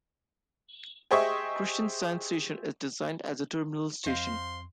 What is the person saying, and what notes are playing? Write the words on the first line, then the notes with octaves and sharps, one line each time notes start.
Kristiansand Station is designed as a terminal station.
G4 G#4 C5 D#5 E5 C#6
F2 C5 D#5 F5 C6